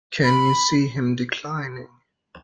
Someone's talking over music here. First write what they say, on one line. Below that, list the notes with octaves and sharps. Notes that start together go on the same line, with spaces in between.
Can you see him declining?
B5